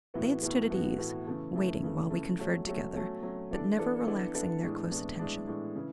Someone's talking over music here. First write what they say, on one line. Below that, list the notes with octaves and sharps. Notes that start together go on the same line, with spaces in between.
They had stood at ease, waiting while we conferred together, but never relaxing their close attention.
A2 E3 B3 F#4
A2 E3 B3 F#4
A2 E3 B3 F#4
A2 E3 B3 F#4
C#3 E3 A3
C#3 E3 A3
C#3 E3 A3
C#3 E3 A3
F#3 A3 C#4
F#3 A3 C#4
F#3 A3 C#4
F#3 A3 C#4
E3 B3 D4 A4 D5
E3 B3 D4 A4 D5
E3 B3 D4 A4 D5
E3 B3 D4 A4 D5
A2 E3 G#3 D4
A2 E3 G#3 D4
A2 E3 G#3 D4
A2 E3 G#3 D4
C#3 E3